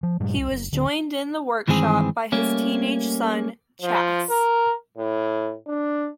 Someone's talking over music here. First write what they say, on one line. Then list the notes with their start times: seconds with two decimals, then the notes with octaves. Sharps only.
He was joined in the workshop by his teenage son Chas.
0.03 F3
0.20 G2 A#2 G3
0.37 C2
0.51 F#1
0.72 D1 D3
1.68 G2 D#3 E3 G#3 C4 G#4
2.32 G3 A3 A#3 C#4
3.82 F3
4.30 A#4
4.98 A2
5.67 D4